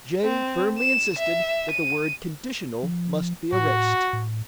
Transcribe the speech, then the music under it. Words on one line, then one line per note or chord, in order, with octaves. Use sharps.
Jay firmly insisted that the word "conditional" must be erased.
C4
E7
E5
D#7
F3
A2 F#4
A2